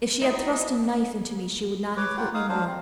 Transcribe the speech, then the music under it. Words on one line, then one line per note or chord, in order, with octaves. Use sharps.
If she had thrust a knife into me she would not have hurt me more.
D#4 E4 F#4 B4 C5 D#5 E5 D#6
B4 C#5 D6
A#3 F4 F#5 G5
D#4 F5 D#6
F#3 D4 C5 F5
C4